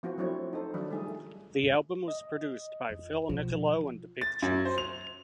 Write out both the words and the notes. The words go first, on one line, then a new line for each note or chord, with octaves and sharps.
The album was produced by Phil Nicolo and Big Chief.
F3 B3 C4 E4 F#4
F#3 A3 C4 D4 E4 C#5
D#4 A4 C5
D#3 F3 F#3 D4
G3 A3 D#4 G#4
D#5
F2
B2 F3
A6
F#2
C5
F7